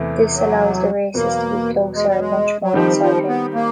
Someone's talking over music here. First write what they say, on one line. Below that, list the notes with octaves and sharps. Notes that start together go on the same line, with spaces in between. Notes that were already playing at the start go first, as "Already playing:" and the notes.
This allows the races to be closer and much more exciting.
Already playing: E2 C3 E3 A3
F#3
E2 B2 F#3 A#3 B3
G#3
G3
G#3
F#3
D#3 F3 G3 C4 D#4 G4
F3
B3
A#3